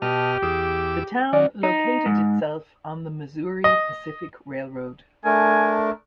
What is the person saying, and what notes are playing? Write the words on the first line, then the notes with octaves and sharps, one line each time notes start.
The town located itself on the Missouri Pacific Railroad.
B2 G4 D#5 A5 F6
E2 G#4 D6 E6
D#3 F#3 D5
D#4
G#2
D#5
A3 D4 A#4 G#5